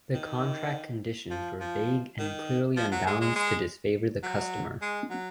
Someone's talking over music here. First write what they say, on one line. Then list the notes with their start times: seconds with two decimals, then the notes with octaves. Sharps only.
The contract conditions were vague and "clearly unbalanced to disfavor the customer".
0.14 D#3
1.31 F3
1.60 F3
2.19 D#3
2.77 F3
2.92 F#3
3.07 G#3
3.21 G#3
3.36 G#3
4.23 F#3
4.82 G#3
5.10 F#3